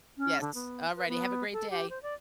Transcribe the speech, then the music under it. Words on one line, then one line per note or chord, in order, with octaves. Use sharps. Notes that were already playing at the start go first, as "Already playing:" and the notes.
Yes, alrighty, have a great day.
C#4
D3
B3
B4
B3
A4
G4
C5
D5